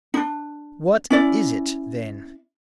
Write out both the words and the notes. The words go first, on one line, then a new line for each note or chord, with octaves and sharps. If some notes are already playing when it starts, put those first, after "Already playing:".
"What is it, then?"
D4 D#4
C#4 E4 D5